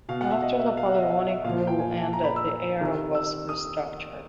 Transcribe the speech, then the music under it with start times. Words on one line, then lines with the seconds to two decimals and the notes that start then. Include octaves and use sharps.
After Napoleonic rule ended, the area was restructured.
0.09 B2 F5
0.21 F#5
0.31 E5
0.42 D#5
0.59 E5
0.77 F5
0.86 F#5
0.94 E5
1.02 D#5
1.11 E5
1.28 E5
1.44 A#2 F3 F5
1.67 G5
1.79 G#5
1.96 A5
2.13 A#5
2.24 B5
2.36 E6
2.80 C3 D#3
3.15 E6
3.49 D#6